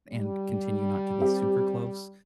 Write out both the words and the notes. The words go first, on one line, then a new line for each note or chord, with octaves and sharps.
and continue not to be super close.
G3
C4 G4